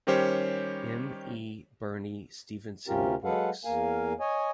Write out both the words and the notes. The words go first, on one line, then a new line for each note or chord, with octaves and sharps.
M. E. Birnie Stephenson-Brooks.
D#3 G3 C#4 G4 C5 C#5
D2 C3 C#4 F4 G4 A#4
F#3 G#3 A4 B4 F5 F#5
E2 A#3 A#4 F5 G#5
C#5 D#5 G#5